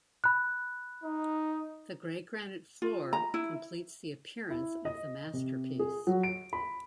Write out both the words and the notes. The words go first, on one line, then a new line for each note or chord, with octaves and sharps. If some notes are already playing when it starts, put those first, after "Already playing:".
The grey granite floor completes the appearance of the masterpiece.
B5 F#6
D#4
F4
A#5
E4
E4
D#5
C3
G#4
F#3
D7
B5